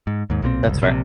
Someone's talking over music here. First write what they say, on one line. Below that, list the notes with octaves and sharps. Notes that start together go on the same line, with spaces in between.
That's fair.
G#2
D#2 G#2
B1 A#2 D#3 C4
F#1 C2
A#1 C3